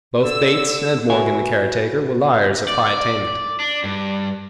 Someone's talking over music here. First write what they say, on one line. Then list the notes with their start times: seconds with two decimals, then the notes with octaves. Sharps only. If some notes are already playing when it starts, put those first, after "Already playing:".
Both Bates and Morgan, the caretaker, were liars of high attainment.
0.24 D3 E6
1.10 F#4 B4 E5 G#5
2.68 D5
3.60 D4
3.84 G2